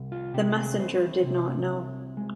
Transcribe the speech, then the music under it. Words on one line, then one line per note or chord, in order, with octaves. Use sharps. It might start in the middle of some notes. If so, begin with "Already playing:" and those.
The messenger did not know.
Already playing: C2
F4
C3 G4
G#4
C2 C5
C3
C2
G#3